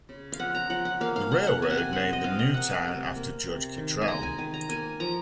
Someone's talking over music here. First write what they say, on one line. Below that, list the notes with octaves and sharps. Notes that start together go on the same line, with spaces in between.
The railroad named the new town after Judge Kittrell.
C#3
F5
F3 F#5
A#5
F3 F#5
F#5
A#3 F5
F5
A#3 F#5
F#5
C3 G#5
F#5
G#5
C3 F#5
D#5
C3 F5
D#5
A#3 F#5
G#5
C3
A#3
C3
D#3
G#5
G#3 A#5
G#5
D#3 G#5
A#5
A#3 G#5
F3 A#5